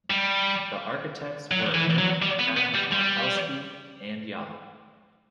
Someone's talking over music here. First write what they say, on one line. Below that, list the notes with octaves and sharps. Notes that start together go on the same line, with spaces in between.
The architects were M. F. Markovsky and Ya.
G3
F#3
E3
F#3
G3
B3
B3
G3
G3